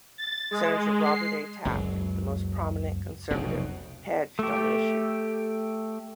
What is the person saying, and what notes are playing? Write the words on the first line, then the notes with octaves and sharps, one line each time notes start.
Senator Robert A. Taft, The most prominent conservative, hedged on the issue.
A6
G#3
C7
F#1 C#2 F#2 F#3
F1 B1 F2 B2
A3 G4